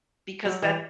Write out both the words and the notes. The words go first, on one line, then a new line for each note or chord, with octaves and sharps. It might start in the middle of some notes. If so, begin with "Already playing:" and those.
because that
F#3
E3